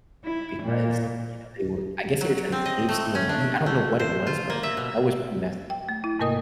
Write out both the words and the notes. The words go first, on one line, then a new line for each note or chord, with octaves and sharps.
because, you know, they were I guess they were trying to save some of the money? I don't know what it was, but that that was pretty messed up
E4
A#2
F#3
C4
D#5
A3
C#4
D4
A3
C5
F4
A#3
E5
B2
G5
A3
E4
G#2 C3 A#3 A#4 D#5 D#6